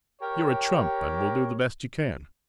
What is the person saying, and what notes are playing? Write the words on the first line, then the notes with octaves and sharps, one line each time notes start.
You're a trump; and will do the best you can.
G4 A#4 C#5